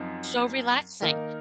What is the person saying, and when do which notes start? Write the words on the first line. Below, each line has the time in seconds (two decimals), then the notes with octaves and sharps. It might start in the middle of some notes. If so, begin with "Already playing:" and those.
so relaxing.
Already playing: F#2 F3 C4 D#4
1.02 D#3 A#3 D#4 A#4